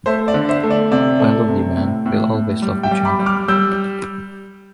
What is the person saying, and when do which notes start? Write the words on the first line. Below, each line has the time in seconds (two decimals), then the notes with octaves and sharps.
I love you man will always love you Champ!
0.06 A3 C5 E5
0.28 D5
0.34 D3
0.49 C5 E5
0.63 A3
0.71 D5
0.91 C3 D5
1.20 A3
1.49 C3
1.77 A2
2.06 A2
2.34 A2
2.62 G3
2.83 E5 G5
2.91 G3
3.05 B5 D6
3.19 G3
3.26 D6 F6
3.48 G3 E6 G6